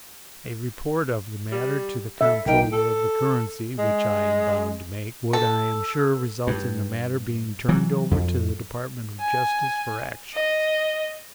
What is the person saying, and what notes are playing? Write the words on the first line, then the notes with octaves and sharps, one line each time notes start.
A report of the matter to the Comptroller of the Currency--which I am bound to make--would, I am sure, result in the matter being turned over to the Department of Justice for action.
G3
A4 E5
B1 A#3 D#4 G5
A4
G#3
A4
G2
E3 F#3
F2
G#5
D#5